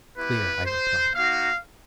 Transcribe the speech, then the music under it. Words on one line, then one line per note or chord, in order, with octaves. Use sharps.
"Clear," I replied.
B3 E4 G4 B4
C5
A#3 D#4 F#4 F5